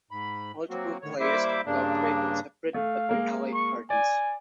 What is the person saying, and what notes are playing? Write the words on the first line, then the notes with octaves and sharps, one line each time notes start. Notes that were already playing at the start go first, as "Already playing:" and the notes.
Multiple players can cooperate in separate-but-allied parties.
G#2 B5
F#3 A#3 C4 F#4
A2 D3 D#3 C#5
G3 A#3 E4 C5 E5 D6
G2 C#3 A#3 D4
A3 F5
G#3 A#3 A#4
C#6
D5 G#5